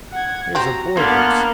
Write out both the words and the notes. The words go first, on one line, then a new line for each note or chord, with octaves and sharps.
'Here's a board loose.
F#5 G#6
G3 C4 F#4 A#5
D3 A#3 B3 D4 C6 F6